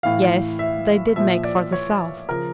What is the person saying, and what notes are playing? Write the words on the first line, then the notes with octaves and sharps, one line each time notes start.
Yes, they did make for the south!
A2 E3 F5
E5
A#2 F3 E5
D5
C#5
C#3 F3 A#4